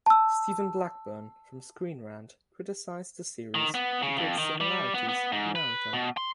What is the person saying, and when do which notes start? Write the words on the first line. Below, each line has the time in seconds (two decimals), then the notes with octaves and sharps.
Steven Blackburn from "Screen Rant" criticized the series due to its similarities to "Naruto".
0.06 A5 E6
3.55 D#3
3.74 B3
4.02 C#3
4.18 F2
4.38 D#3
4.61 G3
4.94 B3
5.09 B3
5.32 G#2
5.56 B4
5.93 B2
6.17 C6